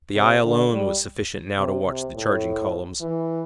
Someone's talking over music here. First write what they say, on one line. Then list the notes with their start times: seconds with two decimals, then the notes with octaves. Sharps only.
The eye alone was sufficient now to watch the charging columns.
0.15 C3
0.44 D3
0.73 G3
1.58 C3
1.86 C3
2.15 A2
3.01 E3